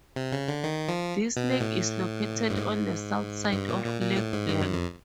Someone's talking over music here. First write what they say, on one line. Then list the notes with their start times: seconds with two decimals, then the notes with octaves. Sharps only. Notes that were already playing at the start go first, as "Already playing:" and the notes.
This lake is located on the south side of Lac Blanc.
0.16 C3
0.32 C#3
0.48 D3
0.64 D#3
0.88 F3
1.37 B2
1.60 A2
2.50 G2
2.56 G#2
3.53 G2
3.69 A#2
3.85 A#2
4.01 A#2
4.17 A2
4.33 G#2
4.49 G2
4.61 F#2
4.73 F2